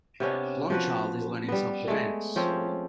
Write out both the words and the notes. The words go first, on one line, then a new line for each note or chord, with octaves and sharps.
Blond child is learning self deference.
C3 B3 C#4 D4
F3 F#4 B4
G3 B3
G#3 A3
F3 C4 C#4